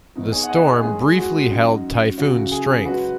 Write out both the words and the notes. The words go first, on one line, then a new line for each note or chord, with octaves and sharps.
The storm briefly held typhoon strength.
D#2 D#3 B3 D#4
G#4 C#5
F#5
D#5 G#5
C#5 F#5
G#4
D#2 D#3 G#3 G#4
G#4
F#4
F#2 F#3 D#4
F#2 C#3 F#3 F#4
G#4
G#2 F#3 C#4 F#4 B4